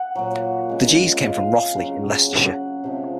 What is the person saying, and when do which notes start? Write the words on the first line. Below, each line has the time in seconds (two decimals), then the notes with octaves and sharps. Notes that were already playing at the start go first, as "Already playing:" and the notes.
The Gees came from Rothley in Leicestershire.
Already playing: F#5
0.15 A#2 F#3
0.69 C#3 G#3
1.23 C#3 G#3 F5
1.76 C#3 F#3
2.30 C#3 F#3 F#5
2.84 C3 F3 G#3